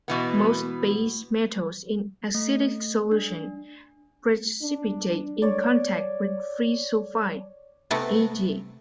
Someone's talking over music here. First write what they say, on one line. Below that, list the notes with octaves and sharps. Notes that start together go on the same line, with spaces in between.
Most base metals in acidic solution precipitate in contact with free sulfide, e.g.
B2 E3 B3
A3
D4
D4
C#5 D5
C3 A3 B3